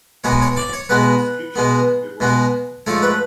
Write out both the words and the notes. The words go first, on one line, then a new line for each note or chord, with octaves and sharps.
The restriction can be waived.
B2 G#3 B3 C#5
C#5
D5
C#5
B2 G#3 B3 B4
B2 G#3 B3
B2 G#3 B3
G#2 F3 A3 C#5
B4